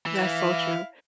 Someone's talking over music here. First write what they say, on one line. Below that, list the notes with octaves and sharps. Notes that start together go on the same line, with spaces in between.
That's so true.
E3
E4 F5